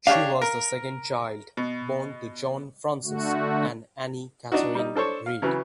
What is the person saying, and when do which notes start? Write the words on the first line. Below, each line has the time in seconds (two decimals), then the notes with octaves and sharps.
She was the second child born to John Francis and Annie Catherine Reid.
0.07 D4 G4 C#5 F5
0.42 A#4
1.57 B2
3.05 D3 A3 F#4
4.52 D4 D#4 F#4
4.75 G3 D#4
4.96 D4 A4 C5 C#5
5.26 F5
5.42 C#3 E3 F#3